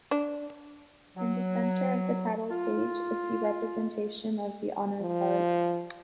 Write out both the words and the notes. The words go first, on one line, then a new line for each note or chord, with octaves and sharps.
In the center of the title page is the representation of the honor card.
D4
F#3
F4
F3